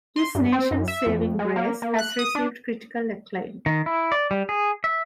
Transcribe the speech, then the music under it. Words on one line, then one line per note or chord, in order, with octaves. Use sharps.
"This Nation's Saving Grace" has received critical acclaim.
C6
G2
C4
F#2
E5
F2
G#3
A#3
A#3
F#6
D#6
D4
D#3
E4
D5
G3
G#4
E5